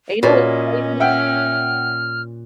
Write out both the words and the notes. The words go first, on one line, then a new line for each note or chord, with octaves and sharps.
And you know what's crazy?
A#2 C#4 F#4 B4 C#5 D#5
E5 F#5 G5 F6